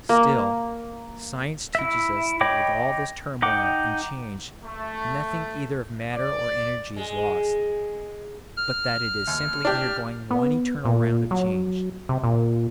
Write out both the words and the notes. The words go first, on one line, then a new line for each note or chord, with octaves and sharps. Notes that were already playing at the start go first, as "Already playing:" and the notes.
Still, science teaches us that with all this turmoil and change nothing either of matter or energy is lost, but that it is simply undergoing one eternal round of change.
A#3
E4 E5
C#5 D#5 G5 B5 D6
D#4 F#5 G5 D6
A3
D5
G#3
F6
D#2
D4 G4
B3
A#2
F#3
C3
A#2